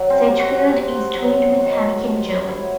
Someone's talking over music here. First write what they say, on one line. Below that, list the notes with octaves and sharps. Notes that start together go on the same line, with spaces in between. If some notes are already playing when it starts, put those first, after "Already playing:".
Sedgefield is twinned with Hamminkeln, Germany.
Already playing: F#3
C4
C3
F#4
C3
F#3
D#3
C3
F#3 E4